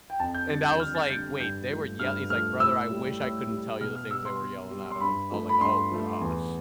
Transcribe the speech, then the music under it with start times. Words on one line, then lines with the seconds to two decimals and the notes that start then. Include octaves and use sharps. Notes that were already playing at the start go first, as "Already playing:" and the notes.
And I was like, "Wait, they were yell" he's like, "Brother, I wish I couldn't tell you the things they were yelling at him." I was like, "Oh gosh."
0.10 G5
0.20 F2 A5
0.35 G6
0.49 D3 G3 A6
0.65 G6
0.80 F2 F6
0.95 A6
1.10 D3 G3 G6
1.40 G2 G6
1.69 F3 A3
1.99 G2 F6
2.30 F3 A3 F6
2.60 A2 E6
2.90 G3
3.20 A2
3.50 G3
3.81 B2 F6
3.95 F6
4.10 G3 E6
4.25 C6
4.41 B2
4.71 G3
4.91 C6
5.01 G2 B5
5.31 F3 A3
5.49 B5
5.61 G2 C6
5.91 F3 A3
6.21 E2